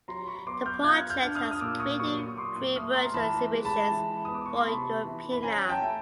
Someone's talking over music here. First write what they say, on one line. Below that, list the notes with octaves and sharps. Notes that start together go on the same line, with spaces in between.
The project has created three virtual exhibitions for Europeana.
F#3 A#5 C6
B5 C#6
B3 C6 D6
F6 G6
F4 F#6 G#6
F6 G6
D4
D#6 F6
D#6
A#2 D6 E6
C#6 D#6
F#3 C#6 D#6
C#6 D#6
A#2 C6 D6
C#6 D#6
A3 D#6 F6
A#5 C6
E3 A5 B5
G#3
A5 B5
E3
B3 D#6
D6
C#6
C6
C3 A5 B5
E3
B5
C#4 G#5 A#5
G5 A5
A3